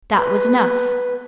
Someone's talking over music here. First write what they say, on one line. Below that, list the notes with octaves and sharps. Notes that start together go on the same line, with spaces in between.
That was enough.
B4